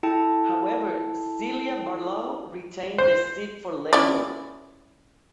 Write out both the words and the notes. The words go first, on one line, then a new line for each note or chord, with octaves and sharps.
However, Celia Barlow retained the seat for Labour.
E4 A4 G5 A5
C5
C#4 E4 D5